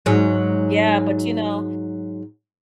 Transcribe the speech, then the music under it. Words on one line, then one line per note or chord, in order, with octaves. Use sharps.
Yeah, but, you know,
G#2 F#3